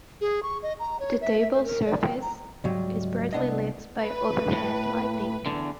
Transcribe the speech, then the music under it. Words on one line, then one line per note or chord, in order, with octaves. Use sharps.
The table surface is brightly lit by overhead lighting.
G#4
C#6
D#5
A#5
C#5
E5
E5
C5
A#4
D5
G5
A#5
C#2 G#2 F#3 G3
C2 B2 B3 D4 D#5
B4
A2
E2 D3